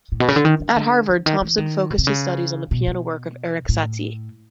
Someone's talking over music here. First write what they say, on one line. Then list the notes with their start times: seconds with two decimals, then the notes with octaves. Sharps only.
At Harvard, Thomson focused his studies on the piano work of Erik Satie.
0.12 A2
0.20 B2
0.28 C#3
0.36 D3
0.45 D#3
0.60 D#3
0.76 D3
1.09 D3
1.26 D#3
1.41 E3
1.58 D#3
1.90 B2
1.98 C3
2.07 C#3
2.71 B2
2.87 B2
3.69 A2